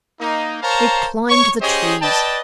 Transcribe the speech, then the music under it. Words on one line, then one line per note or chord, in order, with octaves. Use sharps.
They climbed the trees.
A#3 D#4
A#4 C5 C#5 F5 A5 A#5
C#5 C#6
C#4 G4 G#4 C5 C#5 D#5
B4 D5 D#5 G5 A5